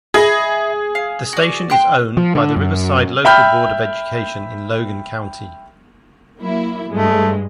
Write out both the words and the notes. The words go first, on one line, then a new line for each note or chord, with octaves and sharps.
The station is owned by the Riverside Local Board of Education in Logan County.
G#4 D#5 E5 B5
F5
F#4 D5
G5 C6 F#6
F3
D3
F#2
E5 G5 B5 F6 G6
F#3 A#3 E4
G2 G#3 A3